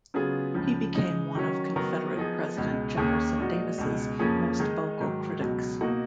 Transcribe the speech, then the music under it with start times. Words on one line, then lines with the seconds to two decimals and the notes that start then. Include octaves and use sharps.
He became one of Confederate President Jefferson Davis's most vocal critics.
0.14 C#3 F#3 B3 F4 G#4
0.54 C#2 C#3 F3
0.95 C#3 G#3 D#4
1.35 D#3 F#3 C#4
1.76 D#3 F#3 B3 F#4 A#4
2.16 F3 B3 D#4 G#4
2.57 C#2 B2 G#3
2.97 D#2 D#3 A#3 C#4 G#4
3.38 A#2 G#3 D#4 F#4
3.78 C#2 B2 G#3
4.19 F2 F3 A#3 C#4 G#4
4.60 D#3 G#3 D#4 G#4
5.00 G#2 D#3 F#3
5.40 C#2 B2 F#3
5.81 B2 A#3 D#4 F#4